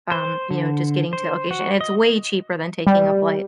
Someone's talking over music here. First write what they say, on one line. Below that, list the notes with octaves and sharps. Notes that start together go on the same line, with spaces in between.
um, you know, just getting to the location and it's way cheaper than taking a flight.
C5
D3
C5
F#4
D#5
G3